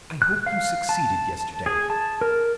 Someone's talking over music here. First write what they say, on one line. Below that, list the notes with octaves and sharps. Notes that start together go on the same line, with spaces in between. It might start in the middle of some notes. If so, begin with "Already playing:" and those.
I hope you succeeded yesterday.
F#6
F5
A5
G#4
A5
A#4